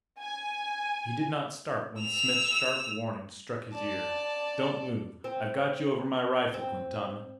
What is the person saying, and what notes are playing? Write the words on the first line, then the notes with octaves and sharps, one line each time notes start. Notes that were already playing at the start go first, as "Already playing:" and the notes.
He did not start when Smith's sharp warning struck his ear: "Don't move! I've got you over my rifle, Quintana!"
G#5
E6 F7
D5 A5
C4
C4